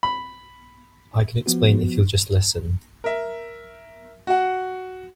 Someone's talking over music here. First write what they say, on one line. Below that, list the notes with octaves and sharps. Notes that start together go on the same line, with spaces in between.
I can explain if you'll just listen.
B5
F3 B3 F#4
A#4 E5
F#4 F#5